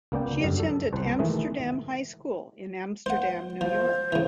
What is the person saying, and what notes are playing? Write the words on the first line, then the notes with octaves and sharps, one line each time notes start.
She attended Amsterdam High School in Amsterdam, New York.
C#2 A#3 B3 D5 G5
F#2 D3 G3
A4
C2 B4 C5 A5
D#3 E3 G#3 A3 D#5
C5 F#5
F3 C5
C#3 E3